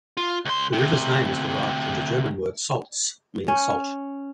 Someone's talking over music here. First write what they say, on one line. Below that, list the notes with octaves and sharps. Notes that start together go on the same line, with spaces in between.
The river's name is derived from the German word "Salz", meaning salt.
F4
C#2 C6
D2 C3
C#4